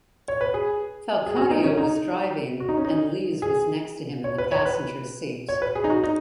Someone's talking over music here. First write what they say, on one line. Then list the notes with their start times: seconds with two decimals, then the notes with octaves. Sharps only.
Falconio was driving and Lees was next to him in the passenger seat.
0.28 C#5
0.41 B4
0.54 G#4
1.26 G#4
1.36 F#4
1.51 D#4
1.64 C#4
1.77 D#4
2.60 F#4
2.69 D#4
2.77 C#4
2.85 D#4
3.42 G#4
4.24 C#5
4.38 B4
4.52 C#5
4.65 B4
5.49 C#5
5.62 B4
5.75 G#4
5.84 D#4
5.90 F#4
6.04 D#4